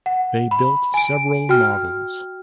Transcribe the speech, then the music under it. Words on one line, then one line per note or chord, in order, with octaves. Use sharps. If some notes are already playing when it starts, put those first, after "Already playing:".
They built several models.
F#5
B5
G#5 D7
F#4 G5 F6